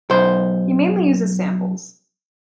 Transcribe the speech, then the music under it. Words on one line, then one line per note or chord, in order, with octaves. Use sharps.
He mainly uses samples.
B1 C5